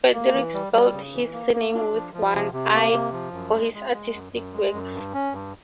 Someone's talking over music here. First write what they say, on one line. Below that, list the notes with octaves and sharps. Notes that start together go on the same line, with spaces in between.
Frederick spelt his surname with one "l" for his artistic works.
A#3
E3
G3
G3
C#3
E3
A#3
A#3
D4
F3
F3
C3
C3
A#3
C3
F3
F#2
G#3
G#3
G#3
F#2
F#2
G#3
F#2
G2
C#4
G2